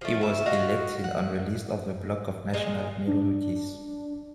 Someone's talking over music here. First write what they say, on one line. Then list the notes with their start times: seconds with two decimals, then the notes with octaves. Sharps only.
He was elected on the list of the Bloc of National Minorities.
0.01 F3 A3
0.21 C#3 E5
0.46 F#4 D#5 F5
1.04 F#5
2.53 A#2 G#3 D#5
3.07 D4